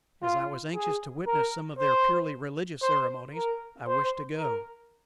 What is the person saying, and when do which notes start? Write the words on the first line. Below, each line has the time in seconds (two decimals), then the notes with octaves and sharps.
As I was anxious to witness some of their purely religious ceremonies, I wished to go.
0.22 F4
0.75 G#4
1.27 A#4
1.79 C5
2.82 C5
3.35 A#4
3.87 C5
4.39 A#4